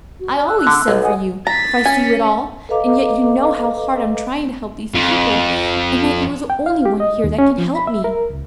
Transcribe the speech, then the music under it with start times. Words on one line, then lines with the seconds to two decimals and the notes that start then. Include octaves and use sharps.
"I always send for you--if I see you at all, and yet you know how hard I'm trying to help these people, and that you are the only one here that can help me."
0.21 F#4
0.34 D5
0.48 E6 F#6
0.67 D3
0.88 B1
1.02 F#5 G#5 D#6
1.47 A#5 A6 B6
1.86 C#4 G#5
2.69 A4 B4 D#5 F5 A#5 D6
4.95 F2
6.50 G5
6.66 F5
6.85 G4
7.00 D#5
7.24 D#2
7.38 C#4
7.58 F3
7.75 B5
7.87 E5
8.04 A#4
8.30 C#2